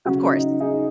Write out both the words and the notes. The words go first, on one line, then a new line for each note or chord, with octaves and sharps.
Of course.
C#3 F#3 C#4 F#4
D#4
D#4 G#4